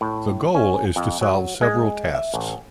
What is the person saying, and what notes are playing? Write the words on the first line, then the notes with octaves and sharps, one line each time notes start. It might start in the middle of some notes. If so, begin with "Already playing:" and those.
The goal is to solve several tasks.
A2
C#4
F2
F#3
G#3
E5
A1